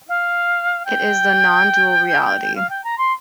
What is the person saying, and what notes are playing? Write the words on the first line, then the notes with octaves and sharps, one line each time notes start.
It is the "nondual reality".
F5
G5
F5
G5
A#5
C6